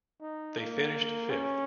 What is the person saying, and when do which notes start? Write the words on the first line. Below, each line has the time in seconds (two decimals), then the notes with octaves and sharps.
They finished fifth.
0.22 D#4
0.58 A#3
1.30 C#4